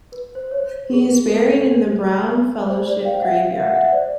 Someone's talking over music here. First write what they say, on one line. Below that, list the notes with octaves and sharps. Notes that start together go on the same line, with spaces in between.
He is buried in the Brown Fellowship Graveyard.
B4
C5
C#5
C5
G4
G#4
A4
C5
C5 D5
F5 G5
E5 F#5
F5
E5 F#5
E5 F#5
C5 D5